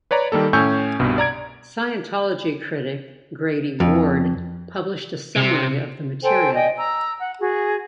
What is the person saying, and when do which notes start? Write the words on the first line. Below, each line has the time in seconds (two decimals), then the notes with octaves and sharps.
Scientology critic Grady Ward published a summary of the material.
0.11 B4 C#5 D5 A#5
0.32 D#3 G3 A#3 A4
0.53 A2 C#4 G#5 C#6 E6 G6
1.00 C2 G2 B2
1.18 D5 A#5 G#6 D7
3.80 F2
5.37 C3
6.23 A4 C5 G5 G#5
6.53 D5 D#5 G5 G#5
6.78 A#5 E6
7.19 F#5
7.40 F#4 G#4